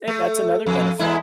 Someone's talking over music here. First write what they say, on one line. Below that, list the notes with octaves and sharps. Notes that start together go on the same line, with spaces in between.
Hey, that's another benefit.
A3
F2
E2 G#3 E4